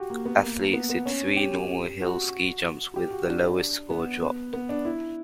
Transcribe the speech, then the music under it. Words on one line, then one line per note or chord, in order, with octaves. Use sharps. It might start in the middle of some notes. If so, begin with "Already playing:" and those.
Athletes did three normal hill ski jumps, with the lowest score dropped.
Already playing: F#4 G4
A#3
B3
A#3
B3
B3
C#4
G4
F#4
G4
F#4
D4
B3
B3
B3
D4
E4